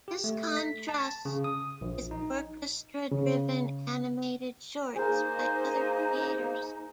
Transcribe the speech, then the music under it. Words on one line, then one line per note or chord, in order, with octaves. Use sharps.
This contrasts with orchestra-driven animated shorts by other creators.
G4
A3
B6
A5
C#3
D#6
A#1
D#4
C#3
A#3 D#4 G#4 A#4 C5